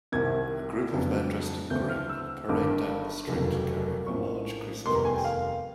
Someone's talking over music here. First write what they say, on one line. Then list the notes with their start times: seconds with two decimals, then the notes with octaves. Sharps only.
A group of men dressed in green parade down the street carrying a large crucifix.
0.12 C2 C3 D#3 G#6
0.91 F2 C#3 F#3 B3 D4
1.70 D2 C#3 E3 A3 C4 G6
1.89 F6
2.09 E6
2.49 G1 G2 D#3 D6
3.27 F1 D#2 C#3 F#3
4.07 A#1 A2 F3 A#3 C#4 C#6
4.85 F1 D#2 D#3 G3 B3 C6
4.95 A#5
5.05 G#5
5.15 G5
5.24 F5